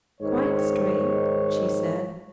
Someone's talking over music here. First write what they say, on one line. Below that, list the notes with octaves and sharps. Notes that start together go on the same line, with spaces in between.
"Quite straight," she said.
G#2 D#3 C#5